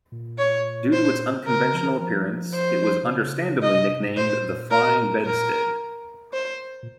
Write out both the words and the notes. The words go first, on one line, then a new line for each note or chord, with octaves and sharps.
Due to its unconventional appearance, it was understandably nicknamed the Flying Bedstead.
A#2
C#5
C5
C#3 A#4
F3
D#3
F3
C5
C3
C#3
A#2
C3 D#5
G#2
A#2 C5
A#4
A#2 A#4
C5
A#2